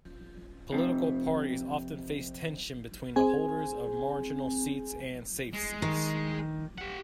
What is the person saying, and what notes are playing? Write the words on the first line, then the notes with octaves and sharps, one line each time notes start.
Political parties often face tension between the holders of marginal seats and safe seats.
F2 C3
C4 G#4 G#5
G#3
D#3
G4 F#5